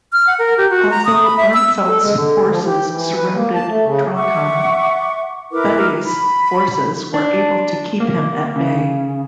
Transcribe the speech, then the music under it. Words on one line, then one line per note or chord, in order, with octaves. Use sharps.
Although Armfeldt's forces surrounded Trondheim, Budde's forces were able to keep him at bay.
F6
F#5
A#4
G4
F#4
A#5
D#6
B5
E5
E6
A4
G#3
D3
F3
G4
E3
B4
A#3
A5
A3
C#3
E5 F#5 C#6 D6
E4 A#4 B4 D6
B5
D4
A#3
C#3